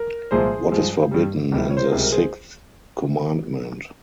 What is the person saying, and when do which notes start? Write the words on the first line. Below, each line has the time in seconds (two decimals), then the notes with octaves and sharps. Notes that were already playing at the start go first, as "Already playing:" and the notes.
What is forbidden in the sixth commandment?
Already playing: A#4
0.31 C2 A#2 F3 G#3 G#4 C5
0.72 G2 F3 G#3
1.11 G2 G3
1.52 C#2 C3 E3 G3
1.70 C#5
1.77 C5
1.84 A#4
1.92 C#2 C3 G3 G#4
2.02 A#4
2.12 G#4 C5